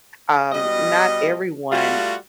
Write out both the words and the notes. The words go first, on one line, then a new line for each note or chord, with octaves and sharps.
um, not everyone
B2 G3 D#5
G3 A3 F4 F#4